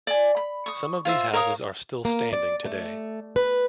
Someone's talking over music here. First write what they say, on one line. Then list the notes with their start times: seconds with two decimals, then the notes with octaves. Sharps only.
Some of these houses are still standing today.
0.07 D5 G#5
0.37 B5
0.66 C#6 D#6
1.05 F4 C5 E5
1.33 A#4 C#5 F5 D#6
2.05 A#3
2.33 D5
2.65 A3
3.36 B4